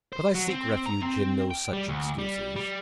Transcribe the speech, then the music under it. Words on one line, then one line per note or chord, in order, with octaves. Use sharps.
But I seek refuge in no such excuses.
C5
F#3
C4
A#5
C4
G5
G3
D2
G3
G3